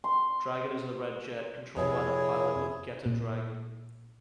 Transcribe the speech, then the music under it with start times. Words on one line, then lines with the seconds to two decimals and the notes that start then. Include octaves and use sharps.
Dragon is the red jet, controlled by the pilot of Getter Dragon.
0.04 C6
1.77 F2 C3 E4 G#4 C#5
3.06 A#2